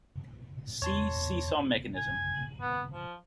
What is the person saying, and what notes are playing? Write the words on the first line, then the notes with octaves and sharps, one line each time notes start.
See seesaw mechanism.
E2 C#5 A5 C6
G#5
B3
F3